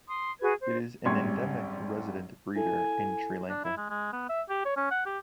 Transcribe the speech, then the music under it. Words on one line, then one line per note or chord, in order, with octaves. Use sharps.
It is an endemic resident breeder in Sri Lanka.
C6 D#6
F#4 G#4 B4 G#6
C5
G#1 F#2 G3 C6 C#6 G#6
E4 A4 G#5
D4
E4
G#3
G#3
B3
E5
G4
C#5
C#4
F#5
G4